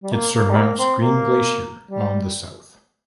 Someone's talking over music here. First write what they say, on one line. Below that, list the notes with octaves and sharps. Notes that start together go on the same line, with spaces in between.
It surmounts Green Glacier on the south.
G3
A#3
A#3
G3
A#3
C4
A#3
G3